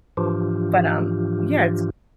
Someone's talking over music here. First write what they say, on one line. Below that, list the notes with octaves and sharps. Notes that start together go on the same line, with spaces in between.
but, um Yeah, it's
G#2 E3 F3 D4 F4 G4